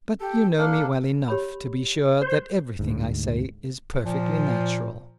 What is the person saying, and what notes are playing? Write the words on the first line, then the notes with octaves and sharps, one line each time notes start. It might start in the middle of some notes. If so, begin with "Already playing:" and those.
But you know me well enough to be sure that every thing I say is perfectly natural.
G4 A4
A#3 D4 A4 F6
G4 C#5 B5
C5
D2 G#2
A#2 F3